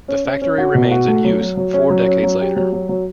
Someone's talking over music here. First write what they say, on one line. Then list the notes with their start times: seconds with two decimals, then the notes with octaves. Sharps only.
The factory remains in use four decades later.
0.08 C#4
0.25 C#4
0.42 C#4
0.58 F#4
0.75 B2
0.91 F#4
1.08 A3
1.24 F#3
1.41 F#3
1.57 F#3
1.74 C#4
1.90 F#3
2.07 C#4
2.23 F#3
2.41 G4
2.56 F#3
2.73 F#3
2.89 F#3